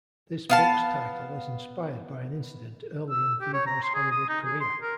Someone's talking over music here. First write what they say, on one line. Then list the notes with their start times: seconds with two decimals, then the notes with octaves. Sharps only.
This book's title is inspired by an incident early in Vidor's Hollywood career.
0.50 B3 F5 A5
3.10 E6
3.41 G4
3.54 C#5
3.67 A#5
3.83 C6
3.95 G#4
4.11 D#6
4.29 D#4
4.46 G#4
4.60 C6
4.82 A#4